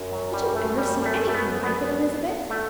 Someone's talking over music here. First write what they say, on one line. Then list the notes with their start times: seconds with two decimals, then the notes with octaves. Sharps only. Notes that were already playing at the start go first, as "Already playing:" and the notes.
"Did you ever see anything like it, Elizabeth?"
Already playing: F#2
0.12 F#3
0.33 G3
0.55 A3
0.77 G3
1.02 G3
1.06 A3
1.28 A3
1.34 B3
1.63 B3
2.50 A3